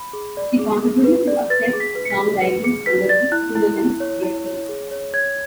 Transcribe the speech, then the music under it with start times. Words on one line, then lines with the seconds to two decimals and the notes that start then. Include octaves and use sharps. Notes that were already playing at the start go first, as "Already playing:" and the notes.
She contributed to Accept's songwriting under the pseudonym Deaffy.
Already playing: B5
0.13 G#4
0.37 D5
0.59 G#4
0.82 G#4
1.04 B4
1.28 D5
1.50 B4 A6
1.73 G#4
1.80 B6
1.95 B4
2.05 C#7
2.10 B6
2.18 G#4
2.41 B4 C#7
2.64 G#4 C#7
2.86 B4 B6
3.09 D5 A6
3.32 E4 F#6
3.55 E4
3.78 E4
4.00 C#5
4.23 E4
4.46 C#5
4.69 G#4
4.91 C#5
5.14 C#5 G#6